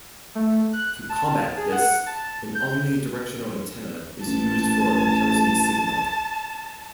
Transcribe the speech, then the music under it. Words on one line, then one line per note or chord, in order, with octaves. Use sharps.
To combat this, an omnidirectional antenna is used for a comparison signal.
A3
F#6
A5
G#4
F#5
A5
G6
A1 A5